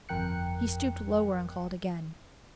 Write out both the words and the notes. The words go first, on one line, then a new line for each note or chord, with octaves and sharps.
He stooped lower, and called again.
G1 F2 A#4 G5 F#6 C#7